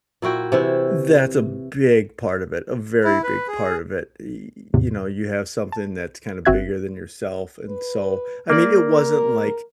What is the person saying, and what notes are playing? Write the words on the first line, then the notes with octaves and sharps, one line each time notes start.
That's a big part of it. A very big part of it. Y you know, you have something that's kinda bigger than yourself, and so I mean, it wasn't like
A#2 E4 F#4 G5
C3 E3 E4
E4
B4
G#4
E2 A2 C3
A5
G1 C4 F#4 E5 F#6 G#6
B4
A#3 D5
A#4